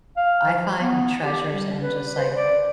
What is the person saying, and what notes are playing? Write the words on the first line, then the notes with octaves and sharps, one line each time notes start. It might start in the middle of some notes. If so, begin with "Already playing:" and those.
I find treasures in just, like
F5
F3
B3
G4
G3
B4
C5
D5